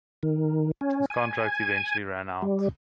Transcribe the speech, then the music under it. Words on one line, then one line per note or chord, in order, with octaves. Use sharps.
His contract eventually ran out.
D#3
C#4
G#5
G3